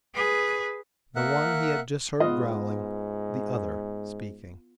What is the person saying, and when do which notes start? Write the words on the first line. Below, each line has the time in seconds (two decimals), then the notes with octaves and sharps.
The one he had just heard growling, the other speaking.
0.14 G#4 B4
1.16 A#3 A#4 E5 F#5 F#6
2.20 G#2 B3 F4 D#5